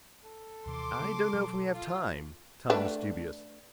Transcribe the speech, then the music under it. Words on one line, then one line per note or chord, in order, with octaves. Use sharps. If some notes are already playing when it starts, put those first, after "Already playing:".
"I don't know if we have time." Tom was dubious.
A4
D#2 C3 E3 C6 D6
C#3 A3 C4
B2 F#3
F4
A3 D4 B4